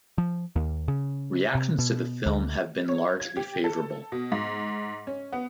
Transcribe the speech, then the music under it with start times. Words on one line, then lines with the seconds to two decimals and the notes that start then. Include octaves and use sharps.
Reactions to the film have been largely favorable.
0.18 F3
0.56 D#2
0.88 C#3
1.55 C3
1.79 B2
2.26 D2
2.88 C#5
3.20 G#6
3.37 G4
3.64 A4
4.12 B2
4.32 G#2
5.07 C#4
5.32 B3